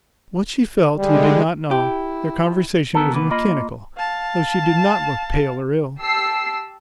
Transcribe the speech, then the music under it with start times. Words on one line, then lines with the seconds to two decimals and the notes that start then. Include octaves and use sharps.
What she felt he did not know; their conversation was mechanical, though she did not look pale or ill.
0.98 D3 G3 G#3
1.71 E4 G4
2.94 D#3 B3 G4 A4 A#4
3.12 C3 E3 A#3 B3 B4
3.31 A#3 F4 D#5 B5
3.97 F5 A5
5.99 G4 A5 E6 C7